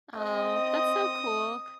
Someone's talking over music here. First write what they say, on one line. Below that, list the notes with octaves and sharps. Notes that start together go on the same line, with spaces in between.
Oh, that's so cool.
C4 D#5 D#6